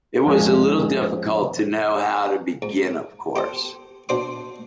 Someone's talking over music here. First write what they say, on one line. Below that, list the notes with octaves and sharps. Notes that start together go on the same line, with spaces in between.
It was a little difficult to know how to begin, of course.
F2 G#3 C#4
G#2
G4 A4 C5
B2 D4 C5 D5 C6 D6